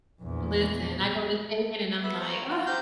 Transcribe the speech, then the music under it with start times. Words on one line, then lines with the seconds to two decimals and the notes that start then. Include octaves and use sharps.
Listen, I go to shaping and I'm like, "Oh,"
0.21 A#1 E2
2.02 B3 E5
2.21 C#5 A#5
2.50 F4 F#4
2.66 G4 C5 F5 A#5 C6 G6